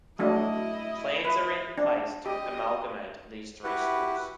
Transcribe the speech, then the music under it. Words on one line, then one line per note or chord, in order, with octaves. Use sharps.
Plans are in place to amalgamate these three schools.
F#3 A3 D4 E4 D#5
B4
D4
G4 D#5
E4 F#4 G4 B4 F#5